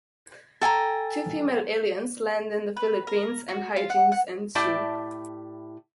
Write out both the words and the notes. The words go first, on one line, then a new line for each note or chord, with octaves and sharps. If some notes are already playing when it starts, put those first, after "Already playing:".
Two female aliens land in the Philippines and hijinks ensue.
A4 G5 G#5 A#5
B4
A#4
F#4
F4
F#5
F#5
A2 E4 G4 D5 A5